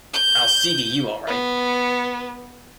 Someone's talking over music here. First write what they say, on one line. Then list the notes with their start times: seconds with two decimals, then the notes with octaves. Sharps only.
I'll see to you all right.
0.14 G6
1.27 B3